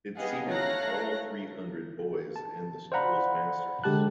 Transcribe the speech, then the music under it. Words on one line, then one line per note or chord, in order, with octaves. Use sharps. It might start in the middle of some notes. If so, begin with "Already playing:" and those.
It seated all three hundred boys and the school's masters.
B3 G4 G#4 D#5 F5 F#5
A3 C#5 F5 A#5 F#6 A#6
A5
C5 D5 F5 F#5 A#5 B5
D3 G#3 G4 A5 F#6